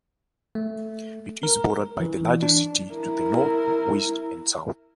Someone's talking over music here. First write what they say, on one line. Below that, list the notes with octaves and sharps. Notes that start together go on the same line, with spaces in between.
It is bordered by the larger city to the north, west, and south.
A3
A#4
E3
D4
E4 A#4